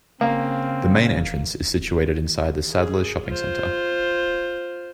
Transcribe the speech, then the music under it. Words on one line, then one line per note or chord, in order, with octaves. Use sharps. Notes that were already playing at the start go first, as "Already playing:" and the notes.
The main entrance is situated inside the Saddlers Shopping Centre.
C#3 A#3 C4 F5
G#4
F4 C5